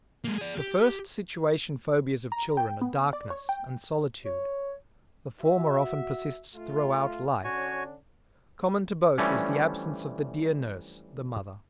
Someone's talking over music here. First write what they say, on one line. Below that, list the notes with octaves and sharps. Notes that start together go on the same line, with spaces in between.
The first situation phobias of children are darkness and solitude; the former often persists throughout life; common to both is the absence of the dear nurse, the mother.
G#3 A#3
G#4 D5
G4
A#5
G5
B3
D5
C#5
G5
C#5
F#4 E5
A3 F4
D3 C#4 D4 F#4 C#5 G#5
E3 F3 G3 A3 C#4 D4